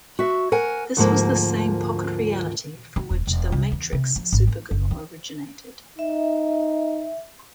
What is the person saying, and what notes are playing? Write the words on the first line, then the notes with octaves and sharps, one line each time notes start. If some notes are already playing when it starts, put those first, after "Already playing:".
This was the same pocket reality from which the "Matrix" Supergirl originated.
F#4 E5
A#4 F#5 G#5
D2 G#2 F3 A#3
D#3
D#1
E1
C2
E2
C3
F3
G#1
A#3
F#1
D#3
D#4 E5